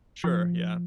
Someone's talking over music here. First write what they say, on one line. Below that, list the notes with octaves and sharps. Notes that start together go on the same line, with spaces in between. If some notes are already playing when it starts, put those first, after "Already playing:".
Sure, yeah.
F3